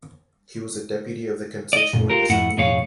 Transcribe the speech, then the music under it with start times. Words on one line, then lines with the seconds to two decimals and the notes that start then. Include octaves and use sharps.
He was a deputy of the Constituent Assembly.
1.73 D5 D#5
1.93 F#2 A#2
2.10 F4 G4 A#4
2.29 F2 G#2 A3 E4 F#5
2.57 B1 F2 A2 G#4 C#5 F5